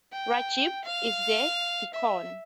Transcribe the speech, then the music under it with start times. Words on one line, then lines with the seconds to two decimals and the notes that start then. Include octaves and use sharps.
Rajib is the deacon.
0.12 G5
0.85 F5
1.94 E5